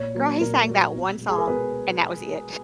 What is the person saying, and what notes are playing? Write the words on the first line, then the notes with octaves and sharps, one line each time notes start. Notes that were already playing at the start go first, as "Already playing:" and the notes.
Girl, he sang that one song, and that was it.
Already playing: A#2 C#5
F#3 A#3
A#2 A#4
F#3 A#3
B2
G#3
G#4
A#4
B2 B4